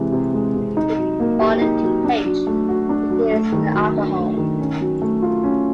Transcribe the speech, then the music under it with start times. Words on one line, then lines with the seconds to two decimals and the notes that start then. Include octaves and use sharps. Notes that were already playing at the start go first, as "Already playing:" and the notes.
If bonded to H it is an alcohol.
Already playing: C3 E3 G#3
0.12 C3
0.34 G#3
0.56 C3
0.77 D#4
0.98 F#3
1.20 A#3
1.40 G4
1.61 D#4
1.83 F#3
2.04 D4
2.26 F#3
2.47 A3
2.68 F#4
2.89 D4
3.10 F#3
3.32 A3
3.52 D#3
3.74 F#3
3.96 D4
4.17 A3
4.38 D#3
4.60 C#4
4.81 F#3
5.02 A3
5.22 F4
5.44 C#4